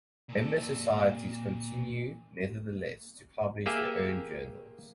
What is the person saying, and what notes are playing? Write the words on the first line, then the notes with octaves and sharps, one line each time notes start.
Member societies continue nevertheless to publish their own journals.
A#2 A4
A#3 G4 G#4 E5 G5